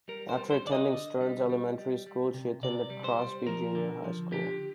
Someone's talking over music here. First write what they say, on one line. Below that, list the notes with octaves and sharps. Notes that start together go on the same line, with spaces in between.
After attending Stearns Elementary School, she attended Crosby Junior High School.
G3 A#4
C5
G3
C5
D3 D5
D#5
D3
G3
G3
G3
G3
C3
C3 D5
G3
C5
G3
F3 A#4
D3
F3
D3 G4